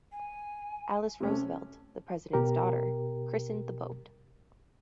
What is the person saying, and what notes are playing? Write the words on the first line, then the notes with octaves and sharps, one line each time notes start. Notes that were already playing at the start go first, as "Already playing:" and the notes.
Alice Roosevelt, the president's daughter, christened the boat.
G#5
C3 A3 C#4
B2 G4 A#4